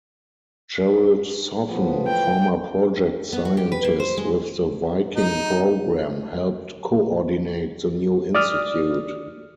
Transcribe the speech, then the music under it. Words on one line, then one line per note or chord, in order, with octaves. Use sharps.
Gerald Soffen former Project Scientist with the Viking program, helped coordinate the new institute.
A2 F3 B3
G5
B3
F#4
G4
B4
A#3
C5
G#3
D#4
D5 D#6 F6